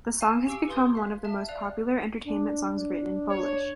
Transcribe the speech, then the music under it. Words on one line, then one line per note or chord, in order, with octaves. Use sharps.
The song has become one of most popular entertainment songs written in Polish.
F5 G#5 D#7 E7
G4 G#5 C#6 E6 C7 D7
B4 F5 C6 D#6 G6
F5 B6
E5 A5
D5 F5 F#6 F7
D4
D4
C#5